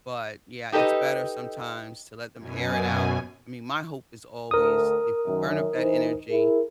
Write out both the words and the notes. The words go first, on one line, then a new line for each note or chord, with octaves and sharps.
but yeah, it's better sometimes to let them air it out. I mean, my hope is always if you burn up that energy,
D#4 G4 A4 B4 D#5
F#2 B2 G#5
D2 A#4 D#6
F#2 D#3
E3 D#4 C5
E4 G#4 A#4